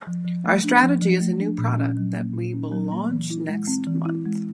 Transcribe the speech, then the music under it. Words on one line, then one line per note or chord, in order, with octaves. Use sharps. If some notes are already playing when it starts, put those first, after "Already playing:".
Our strategy is a new product that we will launch next month.
F3
F3
A3
D4
F3
F3
A3
D4
A#2
C#4
F#3
A#3
A#2
C#4
F#3
A#3
E3
E4
G#3
C4
E3
E4
G#3